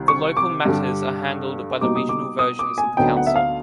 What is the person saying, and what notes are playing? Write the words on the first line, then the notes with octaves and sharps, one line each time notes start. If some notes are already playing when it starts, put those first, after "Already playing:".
The local matters are handled by the regional versions of the council.
Already playing: C2 C3 D#3
C#6
D6
G2 D3 G3
B2 G3 A#3 D#4 D6
D#6
D6
D#6
D6
G#5
D2 D3 F#3 B3 D#4 G5
F#5
E5
F5